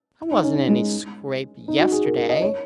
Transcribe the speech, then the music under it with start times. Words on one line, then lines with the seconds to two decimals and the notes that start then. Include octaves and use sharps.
"I wasn't in any scrape yesterday."
0.31 D#4
0.44 C#4
0.55 C#4
0.69 G#3
1.68 D#4
1.79 F#4
1.92 G#4
2.05 A#4
2.17 A#4
2.29 D#5
2.42 C#5